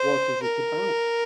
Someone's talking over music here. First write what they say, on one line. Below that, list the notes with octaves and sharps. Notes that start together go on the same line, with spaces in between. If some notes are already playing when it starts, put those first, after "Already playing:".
What is it about?
Already playing: C5
A#4